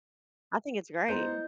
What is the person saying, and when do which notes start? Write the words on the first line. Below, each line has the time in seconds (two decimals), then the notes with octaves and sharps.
I think it's great.
1.08 B3 E4 C5 D#5 A#5 G6